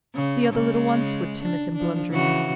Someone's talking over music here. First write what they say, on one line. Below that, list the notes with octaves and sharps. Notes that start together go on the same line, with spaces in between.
The other little ones were timid and blundering.
C#3
C#3 G#3
D4
F3 D4
C#3 E3 F#4